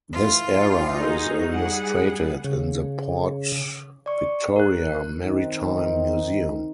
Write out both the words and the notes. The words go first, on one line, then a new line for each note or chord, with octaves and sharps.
This era is illustrated in the Port Victoria Maritime Museum.
E3 F4
D#4
D#4 F#4 G#4
G3 G#4 F#5
C#3
D5 C#6
A#4 F#6
D#3 C4 D#4